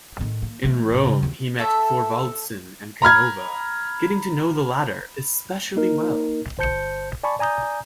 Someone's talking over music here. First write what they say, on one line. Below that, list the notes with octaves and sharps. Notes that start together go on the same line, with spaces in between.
In Rome he met Thorvaldsen and Canova, getting to know the latter especially well.
A2 D#3
A#3
E3 A3
D#2 A#2
C#3
D#2
A3 A4 E5
A#5 B5 F6 G#6
A#3 D#4 A#4
G1 C5 A5 G6 C#7
D5 G#5 A5 B5 C#6
D5 G#5 A#5 D#6 G6